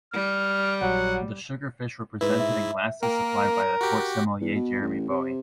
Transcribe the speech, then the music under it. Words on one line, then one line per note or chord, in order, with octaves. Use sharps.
The sugar fish were presented in glasses supplied by the court sommelier Jerome Bowie.
G3 F6
A#1 F#3 F#5
G#2 E4 B4
E5
A#3 A#4 G5
F#4 G4
E2
B2
A1
C3